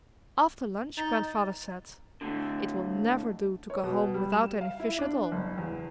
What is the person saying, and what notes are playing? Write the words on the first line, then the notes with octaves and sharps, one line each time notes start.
After lunch Grandfather said, "It will never do to go home without any fish at all."
D#4 A6
A2 D3
C#5
B2
G3
E7
F5
E4
D4
F#1
E2